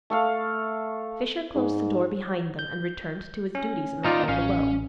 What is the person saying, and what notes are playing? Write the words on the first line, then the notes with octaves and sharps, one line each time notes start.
Fisher closed the door behind them and returned to his duties in the hall below.
A3 A4 F5
G#2
G6
C#4
D#2 D#4 F4 D5 A#5
A1 C#4 F5